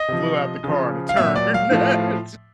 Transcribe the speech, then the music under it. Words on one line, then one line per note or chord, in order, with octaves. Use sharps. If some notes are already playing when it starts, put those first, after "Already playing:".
flew out the car on a turn. Its
Already playing: D#5
C3 F3
C#3 F3
F5
A#2 F#3 E5
D5
F5
A2 F3